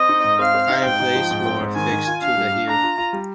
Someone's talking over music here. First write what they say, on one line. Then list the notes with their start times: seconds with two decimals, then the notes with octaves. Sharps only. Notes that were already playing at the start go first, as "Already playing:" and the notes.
Iron plates were fixed to the heel.
Already playing: C4 D#5
0.09 D#4
0.24 G#2
0.39 C4 F5
0.54 C4
0.69 D#4
0.84 G#2 G5
1.00 D#4
1.15 F3
1.31 G#2
1.46 C4
1.61 G#2
1.76 D#3 G#5
1.92 D#3
2.07 F4
2.21 D4 F5
2.37 G3
2.52 D4
2.67 D4 A#5
2.83 F4
2.98 F4
3.13 G3